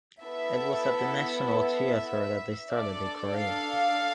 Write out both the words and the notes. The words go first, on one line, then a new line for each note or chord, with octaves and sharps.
It was at the National Theater that they started their career.
B3 E4 A4 E5
E5
D4 A4 D5
F5